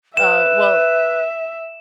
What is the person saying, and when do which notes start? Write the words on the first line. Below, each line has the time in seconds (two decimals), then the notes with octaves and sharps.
Uh, well,
0.17 B4 E5 E7